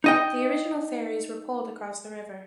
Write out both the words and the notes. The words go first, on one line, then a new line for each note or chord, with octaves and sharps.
The original ferries were poled across the river.
D#4 D#5 G5